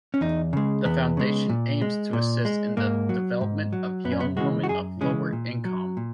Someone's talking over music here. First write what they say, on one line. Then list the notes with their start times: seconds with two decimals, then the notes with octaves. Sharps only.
The foundation aims to assist in the development of young women of lower-income.
0.14 C#4
0.21 E2 D#4
0.53 C#3 G#3
0.85 E2 B3
1.17 C#3 G#3
1.49 A#2
1.82 G#3
2.13 A#2
2.45 G#3
2.77 G#2 A#3
3.09 F#3
3.41 G#2
3.73 F#3
4.05 F#2 B3
4.12 C#4
4.21 B3
4.37 C#3 E3 G#3 F#4
4.63 F#4
4.69 F#2 G#4
5.01 C#3 E3 G#3 C#4
5.33 A#2
5.65 F#3
5.97 A#2